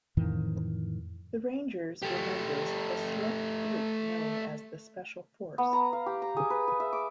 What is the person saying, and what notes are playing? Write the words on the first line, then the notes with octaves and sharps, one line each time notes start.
The Rangers were members of a select group known as the Special Force.
F2 A2 D#3 E3
A3 G4
B3
A#5
F5
G4
A#5
G#4
B4
G#4
E5
D6